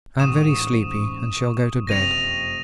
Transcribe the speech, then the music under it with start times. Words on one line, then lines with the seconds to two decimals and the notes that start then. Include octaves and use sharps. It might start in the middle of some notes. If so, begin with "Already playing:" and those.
I am very sleepy and shall go to bed....
0.20 A1 G#2 C#6 D#6 E7
1.87 F#1 F2 C3 A#6 D#7 F7